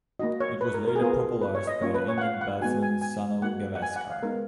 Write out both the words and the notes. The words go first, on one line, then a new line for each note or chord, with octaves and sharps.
It was later popularised by the Indian batsman Sunil Gavaskar.
A#3 D#4 F#4 D#5
C#5
B4
A#4
A#4
G#4
B3 F4 A#4
B4
C#5
D#5
A#3 C#4 F4 C#5
B4
C#5
F#5
F5
F#5
G#3 B3 D#4 F#4 G#5
G#5
G#5
A#3 D#4 F#4 F#5
F#5
G#5
F#5
F5
G#3 B3 D#4 A#4